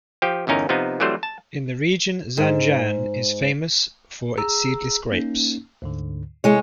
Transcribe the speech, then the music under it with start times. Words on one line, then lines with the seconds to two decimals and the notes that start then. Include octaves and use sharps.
In the region Zanjan is famous for its seedless grapes.
0.22 F3 G4 G5
0.47 G1 E2 C#4 D#4 A#4
0.69 C3 F3 B3 D#4
1.00 E3 F#3 G3 A3 C4 C5
1.23 A5
2.37 G#2
4.38 G#4 A#5 E6
5.12 A#3 C#4 D#4
5.82 D2 G#2 D3
6.44 C3 G#3 E4 C#5